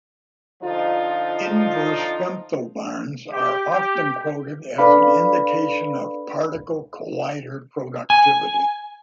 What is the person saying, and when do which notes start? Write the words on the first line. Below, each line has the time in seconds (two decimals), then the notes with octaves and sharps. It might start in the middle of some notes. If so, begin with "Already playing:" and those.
Inverse femtobarns are often quoted as an indication of particle collider productivity.
0.62 D3 F3 D#4 F4
3.33 G4
3.71 G4
4.78 D4 A4 B4 D5 F5 B5
8.10 G#5